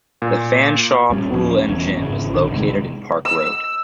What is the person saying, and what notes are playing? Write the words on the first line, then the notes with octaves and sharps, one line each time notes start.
The Fanshawe Pool and Gym is located in Park Road.
A#2
D#1 A#2 G3 C#4
D1 F3 C#4
E1 E2 C4 C#4
G#1 C#3
A#1 D3 D#3
F1 C3 G#3
E6